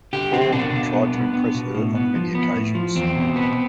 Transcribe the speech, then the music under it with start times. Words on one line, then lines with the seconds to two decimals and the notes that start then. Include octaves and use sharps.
The four try to impress her on many occasions.
0.13 D3 G4
0.33 D3 C4
0.53 B2 D4
0.73 B2
0.93 B3
1.14 B3
1.34 B3
1.55 B2
1.75 A2
1.95 B3
2.15 F3
2.35 B3
2.55 A2
2.75 F3
2.95 E2 C4
3.16 B2
3.36 B3